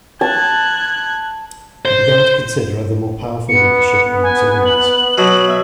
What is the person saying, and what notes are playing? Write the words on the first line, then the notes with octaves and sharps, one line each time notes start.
He began to consider other more powerful leadership and auxiliaries.
A5 F#6 G#6
C5
B3 C#7
G#5
F#7
B2 F#3
E5